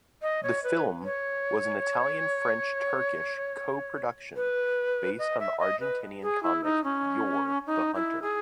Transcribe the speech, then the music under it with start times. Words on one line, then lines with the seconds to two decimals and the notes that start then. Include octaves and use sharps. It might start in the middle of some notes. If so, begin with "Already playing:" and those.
The film was an Italian-French-Turkish co-production based on the Argentinian comic Yor the Hunter.
0.22 D#5
0.43 C#5
0.64 B4
1.05 C#5
4.36 B4
5.19 D#5
5.40 E5
5.60 D#5
5.80 B4
6.23 G#4
6.43 E4
6.64 D#4
6.84 C#4
7.66 D#4
7.95 E4
8.22 G#4